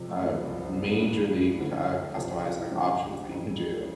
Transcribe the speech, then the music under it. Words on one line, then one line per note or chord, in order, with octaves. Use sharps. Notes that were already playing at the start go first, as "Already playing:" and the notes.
uh, majorly, uh, c customized, like, options that you can do
Already playing: F2 C3 F3
A3
B3
C2 C3 F3
C4
B3
G2 E3 A3
G3
A3
D2 D3 F3 E4
A4
G4
C2 C3 F3 A4
G4
F4
E4
G2 D3 F3 G4
F2 E3